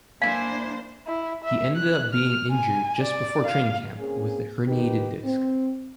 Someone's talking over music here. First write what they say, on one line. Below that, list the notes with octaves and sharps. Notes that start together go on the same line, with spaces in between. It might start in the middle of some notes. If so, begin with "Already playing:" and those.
He ended up being injured just before training camp with a herniated disk.
A#3 D4 E4 C5 F5 G#5
E4
E5
F#6
F6
G#5
D5
F5
A#3 C4 C#4 G#4
D#3 D#4 G4 B4
C4